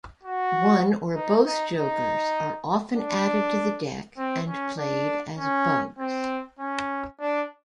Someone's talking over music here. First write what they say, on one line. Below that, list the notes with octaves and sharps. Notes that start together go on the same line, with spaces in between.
One or both jokers are often added to the deck and played as bugs.
F#4
D#4
D#4
D#4
D4
C4
C#4
D4
C#4
C4
C#4
D4